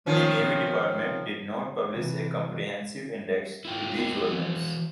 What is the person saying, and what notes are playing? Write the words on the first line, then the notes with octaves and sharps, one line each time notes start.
The Navy Department did not publish a comprehensive index to these volumes.
D#3 F3 C#4
C3 E3
E4 F4 G5
B3 D#4 A#4 G5
E3 F#4